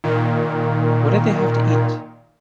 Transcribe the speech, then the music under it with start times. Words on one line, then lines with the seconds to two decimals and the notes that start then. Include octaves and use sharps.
What did they have to eat?
0.04 A#2 D#3